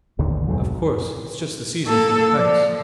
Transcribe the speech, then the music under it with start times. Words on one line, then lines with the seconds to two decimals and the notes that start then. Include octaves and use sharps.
Of course, it's just the season for the kites.
0.19 A1 D#2 D3 D#3
0.47 B1 F2 G#2 F#3
1.85 A#3 A4
2.35 F3 D5